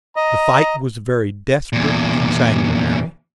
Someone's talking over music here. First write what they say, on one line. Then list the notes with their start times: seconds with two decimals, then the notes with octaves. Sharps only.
The fight was very desperate and sanguinary.
0.16 D#5 A#5
1.73 E2 A#2